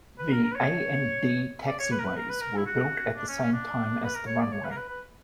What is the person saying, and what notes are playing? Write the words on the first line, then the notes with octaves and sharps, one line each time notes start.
The A and D taxiways were built at the same time as the runway.
B4
A#4
A#4
B4
C#5
D5
C#5
B4
A#4
B4
A#4
B4
A#4
E4
F#4
D4
C#4
C#4
D4
B4
A#4
C#5
D5
C#5
B4
A#4
B4
B4